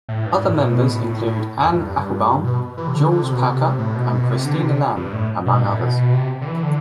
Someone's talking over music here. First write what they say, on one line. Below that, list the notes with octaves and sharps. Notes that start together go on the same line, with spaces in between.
Other members include, Anne Applebaum, George Packer, and Christina Lamb, among others.
A2
G2
A2
B2
A2
A2
A2
F2
A2
G2
B2
E3
C3
D3
D3
C3
B2
C3
A2
B2
B2
C3
D3
C3
G2
A2
B2
A2
B2
B2
C3
D3
E3
D3